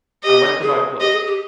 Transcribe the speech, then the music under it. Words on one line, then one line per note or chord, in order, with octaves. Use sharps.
I went to buy clothes.
G4 D#5
G#4
G4 D#5
G#4
G4